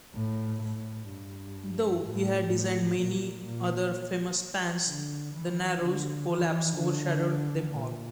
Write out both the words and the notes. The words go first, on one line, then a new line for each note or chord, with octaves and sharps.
Though he had designed many other famous spans, the Narrows collapse overshadowed them all.
A2
A2
G2
A2
A2
A#2
A#2
D3
E3
D3
E3
D3
A#2